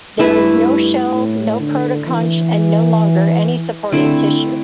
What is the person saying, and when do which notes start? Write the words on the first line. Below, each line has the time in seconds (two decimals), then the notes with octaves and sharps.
There is no shell, no protoconch and no longer any supporting tissue.
0.19 G2 A3 E4 B4
1.13 A2
1.59 D3
2.06 E3
3.92 D3 A3 C4 E4